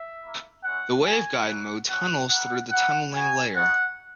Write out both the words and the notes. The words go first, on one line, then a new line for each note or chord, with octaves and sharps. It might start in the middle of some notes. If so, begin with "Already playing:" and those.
The waveguide mode tunnels through the tunneling layer.
Already playing: E5
A#3 E4
G#3 C#4 E4 F#5
B3 F#4 G#5
A#3 C#4 E4 F#5
A#3 C#4 F#4 F#5
A#3 E4 F#5
A#3 E4 F#5
B3 F#4 G#5
G#3 D#4 F#4 F#5